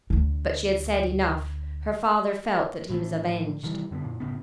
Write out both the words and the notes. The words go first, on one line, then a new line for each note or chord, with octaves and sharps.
But she had said enough; her father felt that he was avenged.
D2 D3
A2 E3 A3
A2 F3
C3 D#3 E3 G3
F#2 D3 A#3 B3
F#2 A#2
F#1 A2 C#3 B3